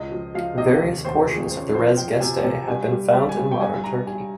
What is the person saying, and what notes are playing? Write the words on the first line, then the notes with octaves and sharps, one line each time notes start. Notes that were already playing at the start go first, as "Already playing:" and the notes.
Various portions of the "Res Gestae" have been found in modern Turkey.
Already playing: C#2 D#5
F3
F3 F5
C3 D#5
D#2
D#2 C5
F3 G#4
C#3 C5
F3 C5
F2 G5
C3 G#5
C3 G#5
G2 G#5
G3
G3
G#5
G3
G5
G2 G#5
G2 A#5
G2 G#5